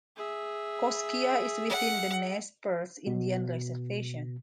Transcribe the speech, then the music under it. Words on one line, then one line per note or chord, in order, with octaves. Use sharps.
Kooskia is within the Nez Perce Indian Reservation.
G#4 E5
F#5
B2